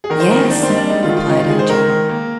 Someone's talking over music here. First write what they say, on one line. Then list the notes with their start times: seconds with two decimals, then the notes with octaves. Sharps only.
"Yes," replied Ojo.
0.04 G#4
0.10 D#3 A#4
0.20 C5
0.31 D#3 A#4
0.40 C4
0.50 A#3 D4
0.63 C4
0.69 G3 D#4
0.77 D4
0.90 G#3 D#4
1.03 F4
1.10 D#3
1.17 F4
1.29 D#3 D#4
1.40 F4
1.49 G#3 G#4
1.59 C5
1.69 D#3 A#4
1.89 D#3
2.09 A#3